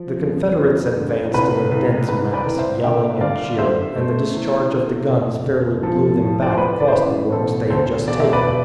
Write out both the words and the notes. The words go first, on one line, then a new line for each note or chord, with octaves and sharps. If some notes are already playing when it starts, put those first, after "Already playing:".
The Confederates advanced in a dense mass, yelling and cheering, and the discharge of the guns fairly blew them back across the work's they had just taken.
Already playing: F3
F2
F2
D3
C2 B4
C2
C2 B4
B4 D5
C2
C5 E5
D3 E5 G5
G1 D5 F5
D3 C5 E5
A3
E2
D3
F1
F1
F3 A4
A2
D5
C5
A2 B4
D5
C5
A1 B4
E1 A4 C5
D2 A4 C5
E1 D5
E5
B4 D5